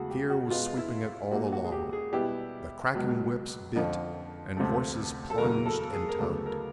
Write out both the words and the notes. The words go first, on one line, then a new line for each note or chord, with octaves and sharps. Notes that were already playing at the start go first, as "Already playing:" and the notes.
Fear was sweeping it all along. The cracking whips bit and horses plunged and tugged.
Already playing: E2 C#3 F#3 A3 F#4 G#4
G4
F#4
B2 G#3 B3 F4
E4
A#2 G3 A#3 F#4
F#4
G#4
G4
G#4
B2 G3 B3 E4 G4
C#2 B2 F#3
F2 D3 F3
D2 C3 F3 A3
A4
E2 C#3 F#3 A#3 A#4
A4
G#4
A#4
D2 C#3 F#3 B3 A4
A#4